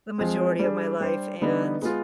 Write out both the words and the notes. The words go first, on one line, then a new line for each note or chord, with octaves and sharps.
the majority of my life, and
F3 G#3 C4
G3 D4 G#4
G3 D4 G4 C5
D3 G3 B3 D#4 B4
G#3 B3 F4